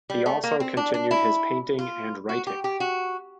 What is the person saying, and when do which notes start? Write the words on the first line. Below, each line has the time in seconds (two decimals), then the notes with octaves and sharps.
He also continued his painting and writing.
0.10 G3
0.26 A3
0.44 A#3
0.60 C4
0.77 D4
0.94 D4
1.11 E4
1.79 F4
2.29 F#4
2.47 G4
2.64 G4
2.80 F#4